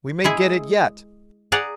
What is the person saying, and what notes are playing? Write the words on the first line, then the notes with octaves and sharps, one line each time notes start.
"We may get it yet!"
G#3 E4 G#4
G#4 D5 F#5 A#5